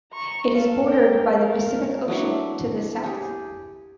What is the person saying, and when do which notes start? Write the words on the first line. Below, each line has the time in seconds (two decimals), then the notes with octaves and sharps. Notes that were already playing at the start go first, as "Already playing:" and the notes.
It is bordered by the Pacific Ocean to the south.
0.12 A#5 C#6
0.53 A4 F5
0.86 A#4 G5
1.34 A#4 F5
2.08 F#3 D4 E4
3.04 G4 G#4